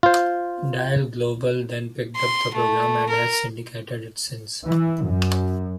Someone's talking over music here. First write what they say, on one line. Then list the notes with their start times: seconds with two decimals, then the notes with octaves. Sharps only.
Dial Global then picked up the program and has syndicated it since.
0.03 F4 C5
2.16 C6
2.55 A3
3.09 A#4
4.65 E3
5.04 F#2